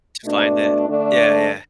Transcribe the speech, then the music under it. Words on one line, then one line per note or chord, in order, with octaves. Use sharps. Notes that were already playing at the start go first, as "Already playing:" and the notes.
To find it. Yeah, yeah.
B2 A3 D4
D3 A3 D4